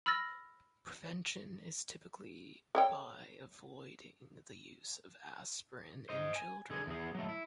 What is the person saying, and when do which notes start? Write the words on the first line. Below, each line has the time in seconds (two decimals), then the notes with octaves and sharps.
Prevention is typically by avoiding the use of aspirin in children.
0.06 B5 E6 F6 A6 A#6
2.75 A4 C#5 G5
6.09 C5 D#5
6.36 G#5
6.70 D3 G#4
6.87 E2 G#4
7.15 F#3 A3
7.29 E4